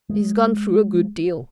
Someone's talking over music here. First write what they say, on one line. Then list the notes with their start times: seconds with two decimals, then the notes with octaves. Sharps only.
He's gone through a good deal.
0.09 G#3